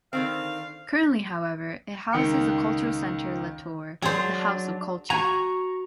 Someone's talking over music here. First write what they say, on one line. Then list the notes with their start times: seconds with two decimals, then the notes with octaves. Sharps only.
Currently, however, it houses the Cultural Center la Torre, the House of Culture.
0.13 D3 D#3 C4 F5
2.13 C#2 D#3 G5 C#7
4.02 F#3 D4 G#4 C5
5.10 F#4 G#5 A#5 C#6